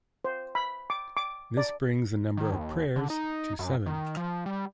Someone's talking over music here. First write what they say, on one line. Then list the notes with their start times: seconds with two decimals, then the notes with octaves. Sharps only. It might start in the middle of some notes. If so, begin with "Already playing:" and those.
This brings the number of prayers to seven.
0.25 C5
0.55 B5
0.90 D6
1.17 D6
1.57 D5
2.37 D#3
2.52 D#2
2.96 D3
3.10 D#4
3.59 F#2
3.86 D#3
4.17 F3
4.46 G3